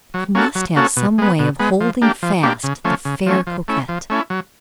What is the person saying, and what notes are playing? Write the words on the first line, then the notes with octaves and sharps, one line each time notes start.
He must have some way of holding fast the fair coquette.
F#3
A#3 C#4 F#4 A4
F#3
A#3 C#4 F#4 A4
B2
G#3 B3
B2
G#3 B3
F3
A#3 D4 G4
F3
A#3 D4 G4
C#3
F3 A3 C#4
C#3
F3 A3 C#4
F3
A3 C#4 E4
F3
A3 C#4 E4
F#3